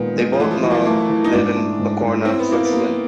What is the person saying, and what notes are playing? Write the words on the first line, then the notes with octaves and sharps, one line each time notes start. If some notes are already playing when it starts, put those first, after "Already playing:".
They both now live in Locarno, Switzerland.
Already playing: A#2 D#3 G#3 B3
G#3
F3
E3 A3
F3
E3 F#3
A#3
A3
A3 A#3
E3
D#4
G#2 D4
A3
G#2
G#2
C4 E4
B3
A#3 E4
B3
A#3